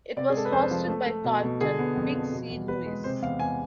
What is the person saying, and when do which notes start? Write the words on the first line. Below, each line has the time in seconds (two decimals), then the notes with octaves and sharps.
It was hosted by Carlton "Big C" Lewis.
0.16 C3 D5
0.30 G#4
0.34 G#3 A4
0.45 B4
0.52 F2 C5
0.71 F3
0.88 A3
1.06 A3
1.24 B2
1.43 B2
1.61 D3 G#4
1.79 B3
1.96 F2
2.14 F3
2.33 B2
2.50 E2
2.68 E2 B4
2.86 G#3
3.04 C3 C5
3.22 E2 F5
3.40 E2 G#5